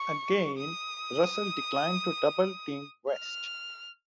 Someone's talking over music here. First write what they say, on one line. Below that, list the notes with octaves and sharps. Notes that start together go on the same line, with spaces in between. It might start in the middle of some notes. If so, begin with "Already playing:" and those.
Again, Russell declined to double-team West.
Already playing: C#6
D#6
F6